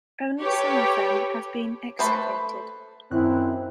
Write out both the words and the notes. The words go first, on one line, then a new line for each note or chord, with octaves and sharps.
Only some of them have been excavated.
G4 A4 B4 C#5 G5
A3 B4 C5
F#2 D#3 C4 E4 F#6